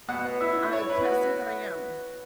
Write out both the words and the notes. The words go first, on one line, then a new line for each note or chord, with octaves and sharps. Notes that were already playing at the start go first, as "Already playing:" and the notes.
I can't say that I am.
B2 F#5
B3
E4 E5
E4
E4 C#5
E4 B4
B3 F#4